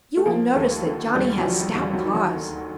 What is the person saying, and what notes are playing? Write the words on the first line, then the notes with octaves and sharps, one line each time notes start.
You will notice that Johnny has stout claws.
A3
F3 A#3
D#2 A3
D3
D#2 G3
F#3
F3
G3
D#2
G3
F#3
D#3
F#3
D2